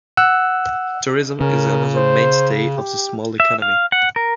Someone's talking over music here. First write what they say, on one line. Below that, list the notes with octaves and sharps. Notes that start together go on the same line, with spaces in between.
Tourism is another mainstay of the small economy.
F#5 E6 F#6
C#3 A#4
C5
G4
E5
F5
F#5
A#4